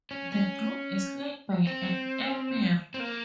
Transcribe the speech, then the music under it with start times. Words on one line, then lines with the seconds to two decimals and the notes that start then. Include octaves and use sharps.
The group is led by an "Emir".
0.11 C#4
0.32 C#4
1.67 C4
2.94 C4
3.00 A#3